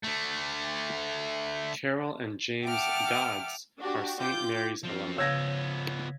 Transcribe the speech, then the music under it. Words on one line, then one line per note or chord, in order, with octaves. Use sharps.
Carol and James Dodds are Saint Mary's alumni.
D3 A3
E5 F#5 G5 A5 D6 F6
D4 F#4 G4
F4 G5 D6 G6
F3 C4
C#3 F3 B3 C#5 F5 E6 G#6 A#6